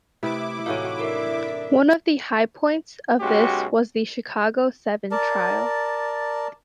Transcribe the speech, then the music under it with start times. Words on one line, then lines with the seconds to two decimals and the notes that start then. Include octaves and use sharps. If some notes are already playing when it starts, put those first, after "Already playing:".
One of the high points of this was the Chicago Seven trial.
0.23 C3 A3 E4 B4 D6
0.66 A2 E3 D#4 F#4 C#5 F5
0.99 D4 A4 A#4 E5
3.20 B1 G#3 C#4 F#4 G4
5.11 A#4 D5 A5